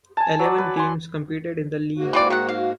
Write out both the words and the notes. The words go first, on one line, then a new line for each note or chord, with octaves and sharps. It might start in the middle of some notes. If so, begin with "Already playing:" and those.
Eleven teams competed in the league.
G#5 A5
F#3 D5
B4
G#5 C6
G#2 A#3 F#4
E3 C4 D5
D#3 F#5
F5